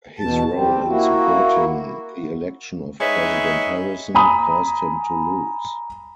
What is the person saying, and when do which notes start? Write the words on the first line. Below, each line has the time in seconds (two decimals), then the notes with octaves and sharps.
His role in supporting the election of President Harrison caused him to lose.
0.19 E2 B2 A5
0.53 G3 C4
0.87 A#3 E4 F#4
3.00 G#3 D#4 B4 C#5 E5
4.15 G#5 A#5 B5 D#6